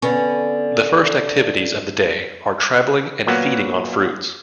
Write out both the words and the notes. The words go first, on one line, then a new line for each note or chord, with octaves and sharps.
The first activities of the day are traveling and feeding on fruits.
D3 B3 C#4
A#2 F#3 A#3 B3